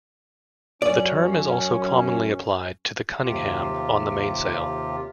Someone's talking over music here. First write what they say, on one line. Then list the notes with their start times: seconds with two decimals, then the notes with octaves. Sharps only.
The term is also commonly applied to the cunningham on the mainsail.
0.82 F#2 C#4 D5
3.23 D#2 C3 F4 G4